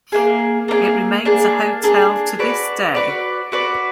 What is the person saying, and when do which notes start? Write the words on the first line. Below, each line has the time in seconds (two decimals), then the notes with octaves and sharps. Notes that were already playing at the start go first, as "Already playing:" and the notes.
It remains a hotel to this day.
0.12 A#3 D4 G#4
0.68 A#3 D4 G#4
1.25 A#3 D4 G#4
1.83 A#3 D4 G#4
2.39 F#4 B4 D5
2.95 F#4 B4 D5
3.52 F#4 B4 D5